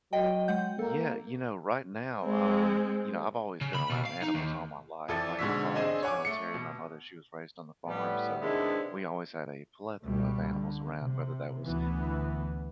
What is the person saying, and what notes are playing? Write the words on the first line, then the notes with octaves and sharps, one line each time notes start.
Yeah, you know, right now, um You know, I've always been around animals all my life. Like, my father was military. My mother, she was raised on the farm, so we always had a plethora of animals around, whether that was
F#3 D#5 G5
G#3 F#5 G6
A#3 A4
G#3 C4
C#3
B5
B2
F5
D#4
D#2
F2 E3 A4 D5
G#2 B2 D3 C#6 E6 B6
C4 D4 G#4 D#5 G#5
C#5 F#5 G#5 C#6 D6
A3 C#7
B2
A2 G3 B3
C3 D#3 G#3 B3 D4 E4
C#2 B2 G3 A3
D3
C3
D2 E3 B3